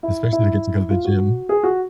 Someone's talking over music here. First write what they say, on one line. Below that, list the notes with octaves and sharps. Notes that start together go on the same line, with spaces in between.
Especially to get to go to the gym.
E4
E4
F4
F#4
G#4
F#4